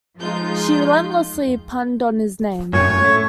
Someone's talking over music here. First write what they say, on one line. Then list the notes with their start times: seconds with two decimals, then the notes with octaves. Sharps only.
She relentlessly punned on his name.
0.17 F3 G#3 D#4 F4 G6
2.73 F#2 A2 C#4 C#5 C#6
3.04 A3